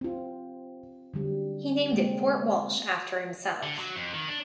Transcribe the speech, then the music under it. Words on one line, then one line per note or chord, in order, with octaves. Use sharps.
He named it Fort Walsh after himself.
C4 F4
D3 F#3 G3
G#3 A#3 C4
D3
F#3
F2
D#3
D4